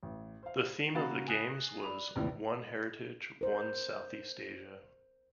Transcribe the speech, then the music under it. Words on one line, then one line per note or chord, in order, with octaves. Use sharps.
The theme of the games was "One Heritage, One Southeast Asia".
A1
C5 F5
C#3 A#3 F#4 F5 B5 A6
G#5 D#6 F#6 A#6 C7
D5 B5 F7
F1 A#1 D#2 A2 C3 E3
A#4 C5